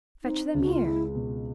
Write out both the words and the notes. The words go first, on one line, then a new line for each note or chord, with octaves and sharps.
"Fetch them here."
C4 D#4
C#2
F#4
F4
G#3 E4
B2